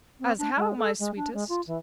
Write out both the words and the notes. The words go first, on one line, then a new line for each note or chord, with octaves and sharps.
"As how, my sweetest?"
C4
D4
G#3
A4
G#3
D4
G#3
F4
E3